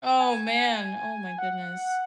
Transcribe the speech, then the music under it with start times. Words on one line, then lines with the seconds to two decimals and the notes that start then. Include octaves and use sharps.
Oh man, oh my goodness.
0.20 G#5
1.39 F#5